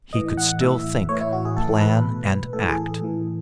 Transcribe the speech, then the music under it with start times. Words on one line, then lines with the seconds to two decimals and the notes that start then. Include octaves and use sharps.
He could still think, plan, and act.
0.13 A2 E3 D#5
0.37 F#5
0.61 A2 E3 E5
1.09 A2 E3 C#5
1.21 E4
1.33 F#4
1.45 G#4
1.57 A2 E3 A4
1.75 A4
1.81 B4
2.05 B2
2.53 A2 E3 A4
2.69 G#4
3.02 A2 E3